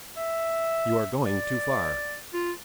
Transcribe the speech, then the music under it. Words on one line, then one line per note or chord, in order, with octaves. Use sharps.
You are going too far!
E5
D5
F4